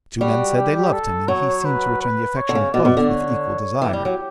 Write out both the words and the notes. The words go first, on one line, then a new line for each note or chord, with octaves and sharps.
Two men said they loved him, and he seemed to return the affection of both with equal desire.
G3 F#4
G4
A4
F#3 C#5
B4
B4
C#5
D3
C#3
B2 D5
B2
D3
C#5
E3 G4
G3
F#3